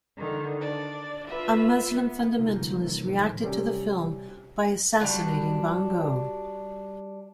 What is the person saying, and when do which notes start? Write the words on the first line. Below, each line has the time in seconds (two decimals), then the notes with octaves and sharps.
A Muslim fundamentalist reacted to the film by assassinating Van Gogh.
0.16 D3 D#3
0.61 D4 D5
1.27 F4 B4 E5
1.91 B3
2.38 C3 A#3 D#4 F4
2.55 G1 F3 G3 G6 G#6 A#6
2.80 C3 E3
3.03 A#1 A2 E3 C5
3.20 D#3 F#3 C#5 B5 F6
3.43 C3 G3 C#4 G4
5.00 G3 D4 F4 F#4